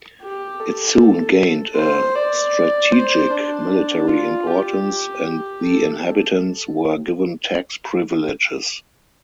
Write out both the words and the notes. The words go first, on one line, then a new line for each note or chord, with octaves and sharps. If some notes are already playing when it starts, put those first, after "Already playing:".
It soon gained a strategic military importance and the inhabitants were given tax privileges.
G4
A4
C5
D5
C5
D4
F4
G4
A4